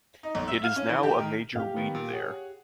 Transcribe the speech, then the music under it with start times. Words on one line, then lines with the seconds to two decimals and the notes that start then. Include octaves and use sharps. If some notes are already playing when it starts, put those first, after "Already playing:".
It is now a major weed there.
0.23 D#4
0.35 B1
0.48 E5
0.63 F5
0.76 C#4
0.89 E3
1.03 G4
1.19 D#3
1.55 G4 F5
1.76 D#3 G3 B3
1.95 A#2
2.13 G#4 C#5 F#5